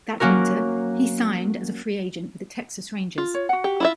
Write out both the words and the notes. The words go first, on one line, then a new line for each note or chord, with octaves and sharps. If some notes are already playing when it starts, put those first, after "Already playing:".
That winter, he signed as a free agent with the Texas Rangers.
F#3 A#3 C#4 F#4 A#4
F4
C#5
F#4 F#5
G4
E4 F4 E5